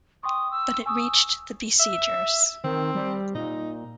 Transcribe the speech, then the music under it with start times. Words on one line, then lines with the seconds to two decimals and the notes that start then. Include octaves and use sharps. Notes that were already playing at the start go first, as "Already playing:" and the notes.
But it reached the besiegers.
0.23 G5 C6 C#6 D#6
0.51 E6
0.86 G#5 C#6 D#6 E6
1.80 E5
2.64 D#3 C4
2.95 G3
3.35 A#2 D#4